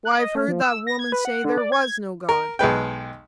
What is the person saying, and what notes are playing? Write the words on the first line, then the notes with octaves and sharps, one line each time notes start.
Why, I've heard that woman say there was no God.
F#6
D#5
A3
F3
E6
A#6
G#6
B4
F#5
D3
D5
G#6
A#4
B1 G#3 B4 G5